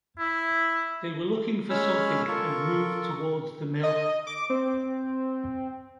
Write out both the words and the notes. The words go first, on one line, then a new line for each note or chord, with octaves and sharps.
They were looking for something, and moved towards the mill.
E4
G#3 C#4 C#5 B5 E6 F6
F4 A4 A#4 C#6
D#5
D6
C4